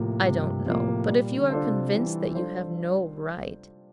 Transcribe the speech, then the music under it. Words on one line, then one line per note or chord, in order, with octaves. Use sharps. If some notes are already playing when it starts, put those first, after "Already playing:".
"I don't know; but if you are convinced that you have no right..."
Already playing: A2 C3 F3 A#3
G2 C3
A2 F3 A#3
A#2 G3
D3
D4 F4 A4 C5
C3
E3 G3
D4 F4 A4 C5